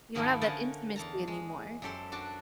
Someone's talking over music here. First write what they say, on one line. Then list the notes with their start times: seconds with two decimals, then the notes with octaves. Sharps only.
You don't have that intimacy anymore.
0.15 G#2 D#3 F3 B3 D#4 E4
0.41 D3 C#4 A#4 D#5 F#5 A5
0.96 E2 A5 A#5
1.27 G#3
1.82 F#2 G4 A4 C5 C6
2.12 D4 F#4 D5